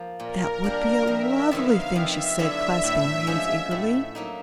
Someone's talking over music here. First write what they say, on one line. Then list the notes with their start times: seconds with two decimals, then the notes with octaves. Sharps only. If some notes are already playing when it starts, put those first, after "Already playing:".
"That would be a lovely thing," she said, clasping her hands eagerly.
Already playing: F3 A#3
0.19 A#2 A#4
0.64 G3 A#3 D4 A#4
1.07 F2 E5
1.51 C3 D#3 F#3 B3 F5
1.96 F2 E5
2.39 D3 F#3 B3 E4
2.83 A2
3.27 F3 G#3 C#4
3.71 A2
4.15 F#3 A#3 D#4